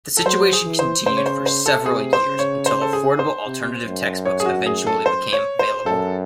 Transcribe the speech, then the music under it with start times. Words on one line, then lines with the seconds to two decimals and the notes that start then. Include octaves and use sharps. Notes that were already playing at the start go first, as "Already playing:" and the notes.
The situation continued for several years, until affordable alternative textbooks eventually became available.
0.17 A4
0.26 F#3 C5
0.53 G#4
0.66 E3
0.79 C5
1.06 C#3 C5
1.17 C#5
1.26 C5
1.46 C5
1.66 A4
1.86 C3 G#4
2.13 C5
2.26 C#3
2.39 C#5
2.66 C5
2.82 A4
2.93 G#4
3.19 C5
3.46 C3
3.86 F#2
4.25 C#5
4.40 G#4
4.46 F#4
4.66 G#4
4.87 A4
5.06 C5
5.33 C#5
5.59 C5
5.86 F#2 A4